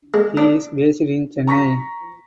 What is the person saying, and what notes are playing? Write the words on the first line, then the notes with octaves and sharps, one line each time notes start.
He is based in Chennai.
G#3
D4
A#5 C#6 A#6 B6